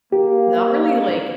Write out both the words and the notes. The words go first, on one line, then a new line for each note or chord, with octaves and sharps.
not really, like,
A#3 G4